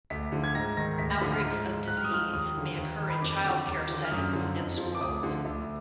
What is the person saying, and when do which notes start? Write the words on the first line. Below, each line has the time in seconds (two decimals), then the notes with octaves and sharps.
Outbreaks of disease may occur in childcare settings and schools.
0.10 D2 B6
0.32 D3 F3
0.44 G#6
0.55 G#2 A#6
0.77 D#3 A#6
0.98 D2 B6
1.11 A#6
1.21 D3 F3 B6
1.33 F6
1.44 G#2
1.66 F3
1.88 G#2 F#6
1.97 F6
2.04 D#6
2.11 F3 F6
2.33 D#2 D#6
2.54 D3 F3
2.77 D#2
3.00 D#3
3.10 B5
3.21 F2 D6
3.45 D3 F3
3.67 D#2 D6
3.89 D3 F3
4.04 F6
4.11 F#2 D#6
4.33 D3 F3
4.56 F2
4.78 F3
4.95 D6
5.01 D2 D#6
5.23 D3 F3
5.45 D2